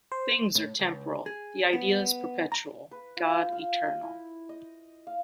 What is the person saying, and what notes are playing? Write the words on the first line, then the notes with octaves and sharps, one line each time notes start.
Things are temporal, the ideas perpetual, God eternal.
C5
A2
C#2
G#4
B3
A#5
B4
F4
C5
F5
D#5
E4
D#5
F5